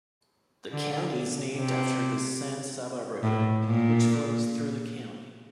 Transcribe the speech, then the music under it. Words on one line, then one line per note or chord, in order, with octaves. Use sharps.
The county is named after the San Saba River, which flows through the county.
D3
C3
A2
A#2